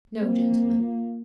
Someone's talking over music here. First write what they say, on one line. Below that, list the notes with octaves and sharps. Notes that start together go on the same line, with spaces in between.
No gentleman!
A#3 C4
F4